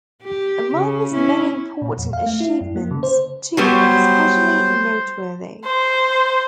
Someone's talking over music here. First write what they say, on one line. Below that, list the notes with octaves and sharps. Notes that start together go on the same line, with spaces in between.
Among his many important achievements, two are especially noteworthy.
G4
C#3
C#4 E4
A#2
F2
F5
A3
E4
F#2
A#3
C#3
C5
F#3 G3 B3 C5
C5